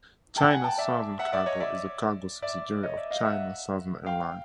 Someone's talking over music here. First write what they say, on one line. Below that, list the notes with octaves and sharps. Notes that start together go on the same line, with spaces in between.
China Southern Cargo is the cargo subsidiary of China Southern Airlines.
G5 A5
F#5 G#5
G5 A5
D5 E5
E5 F#5
D5 E5
C#5 D#5
D5 E5
D5 E5
C#5 D#5
D5 E5
D#5 F5
E5 F#5
F5 G5